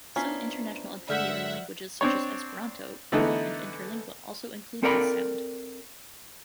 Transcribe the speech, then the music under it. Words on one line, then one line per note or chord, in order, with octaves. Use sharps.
Some international auxiliary languages, such as Esperanto, Ido and Interlingua also include this sound.
F3 B3 C#4 D4 E4 A#5 B6 C7
G2 D3 G#3 D5 E5 F#5 F6 G6
C4 D4 C#5
D3 E3 A3 B3 D#4
C4 A4 A#4 D5 A5 B5